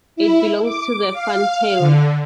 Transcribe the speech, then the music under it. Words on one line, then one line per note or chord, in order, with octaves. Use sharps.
It belongs to the fantails.
E4
D6
F5
D3